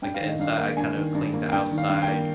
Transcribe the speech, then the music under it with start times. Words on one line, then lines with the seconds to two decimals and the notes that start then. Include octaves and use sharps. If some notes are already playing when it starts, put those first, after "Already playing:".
like the inside. I kinda clean the outside,
0.02 G2 G5
0.14 F5
0.20 D#3
0.28 D#5
0.39 G2 F5
0.58 A#3
0.77 G2 G#5
0.96 D#3
1.15 G2
1.33 A#3
1.48 F5
1.52 G2 G5
1.71 D#3
1.78 F5
1.89 G2 F5
2.02 G5
2.08 A#3